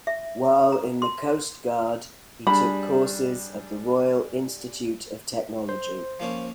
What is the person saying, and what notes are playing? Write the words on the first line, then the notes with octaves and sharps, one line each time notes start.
While in the coast guard he took courses at the Royal Institute of Technology.
E5
A#5
C6
G3 D4 G#4 B5
C5
F3 A#3 C#4